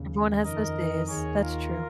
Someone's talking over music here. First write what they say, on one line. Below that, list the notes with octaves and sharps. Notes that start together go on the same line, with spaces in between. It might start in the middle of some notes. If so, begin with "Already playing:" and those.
Everyone has those days. That's true.
Already playing: D#2 C#3
F2 D#3 A#4 D#5
D#2 D#3 G#4 C#5
F4 A#4